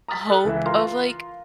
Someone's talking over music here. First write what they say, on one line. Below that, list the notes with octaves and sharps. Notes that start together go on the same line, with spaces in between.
hope of, like
A#5 D#6 F6 A6 B6
A4 F#6
C#2 E3 E5
F4 A#4 F5 A#5 C6